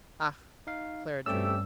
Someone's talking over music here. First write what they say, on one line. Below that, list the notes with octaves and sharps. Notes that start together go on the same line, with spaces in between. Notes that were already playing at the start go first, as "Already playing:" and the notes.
"Ah!" Clara drooped.
D#4 F5
G2 A3 C4 C#4 G4 D5 E6